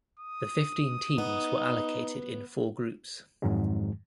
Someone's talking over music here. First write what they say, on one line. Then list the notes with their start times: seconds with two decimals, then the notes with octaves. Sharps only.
The fifteen teams were allocated in four groups.
0.20 D#6
1.18 B3 D#4
3.42 F2 G#2 D#3 F#3 G#3